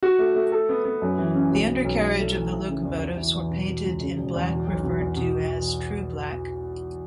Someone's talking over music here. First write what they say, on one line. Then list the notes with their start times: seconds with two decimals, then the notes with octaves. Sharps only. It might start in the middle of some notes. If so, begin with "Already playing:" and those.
The undercarriage of the locomotives were painted in black referred to as True Black.
0.03 F#4
0.19 A3
0.35 A3
0.52 A4
0.69 B3
0.85 B3
1.02 F#2
1.18 E3
1.35 C#4
1.52 B1
1.68 B3
1.84 B1
2.01 E4
2.18 A3
2.34 E3
2.51 E3
2.68 C#3
2.85 E2
3.01 E2
3.17 E3
3.34 E2
3.51 B2
3.67 B2
3.84 C#2
4.01 C#3
4.17 E1
4.34 E2
4.50 B2
4.67 B1
4.83 B2
4.99 E2
5.16 B2